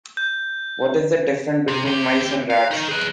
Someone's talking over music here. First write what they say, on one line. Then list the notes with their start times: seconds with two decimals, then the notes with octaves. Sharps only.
What is the difference between mice and rats?
0.17 G6
1.68 C3
1.85 D#2 G4
2.50 F5
2.71 D#3 D#4
2.89 G#4 B4